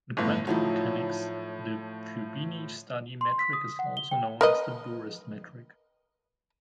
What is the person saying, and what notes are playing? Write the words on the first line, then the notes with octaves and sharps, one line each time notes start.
In quantum mechanics, the Fubini-Study metric is also known as the Bures metric.
G1 A2
A2 F3 F#3 D#4 E4
C6
B6
D#6
F#5
G7
G5
A#4 B4 D#5